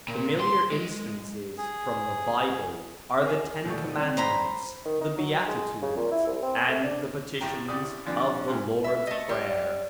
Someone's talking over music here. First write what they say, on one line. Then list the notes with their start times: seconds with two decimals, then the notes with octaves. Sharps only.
Familiar instances from the Bible are the Ten Commandments, the Beatitudes, and the petitions of the Lord's Prayer.
0.08 A#2
0.40 C6
0.72 G#3
1.58 G#4
3.22 G#4 A#4 D#5
3.65 D#2 B2 G3 A3 C#6
3.96 G3 C4 C#4
4.17 C5 A#5 B5
4.85 D#3
5.01 D#4
5.18 F#3
5.47 G#3
5.82 C#3
5.96 A#2
6.11 E4
6.26 C2
6.43 C4
6.68 A3
6.83 D4
7.41 A1 A2 G4 G5 A#5
7.68 C2 A2 G4 D5 D#6
8.06 D3 E3 F3 G3 C4 D4
8.48 G2 A#2 G#3
8.84 E5
9.07 A3 D#5
9.29 G3